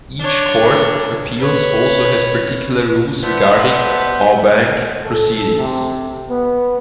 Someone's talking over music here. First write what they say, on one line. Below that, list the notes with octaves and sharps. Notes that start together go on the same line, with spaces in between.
Each court of appeals also has particular rules regarding "en banc" proceedings.
D4 C#5
B4 C#5
B3 D4 C5 E5
A4
C3
B3